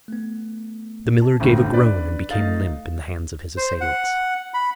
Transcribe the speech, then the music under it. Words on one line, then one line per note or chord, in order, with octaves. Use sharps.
The miller gave a groan and became limp in the hands of his assailants.
A3 B3
A5
G#1 D2 A2 C#4 D4
B4 D5
A3 D#4 A4 F5 A6
C5
F#5
B5